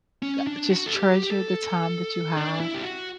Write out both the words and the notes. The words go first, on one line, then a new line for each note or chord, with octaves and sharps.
...g just treasure the time that you have
C#4
D4
F#4
A4
G4
G4
A4
D4
E4
G4
F#4